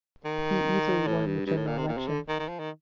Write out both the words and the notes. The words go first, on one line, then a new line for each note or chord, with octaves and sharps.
He easily won the general election.
D#3
A2
G2
G2
A2
A#2
C3
A#2
C3
D3
D#3
D#3
F3
D#3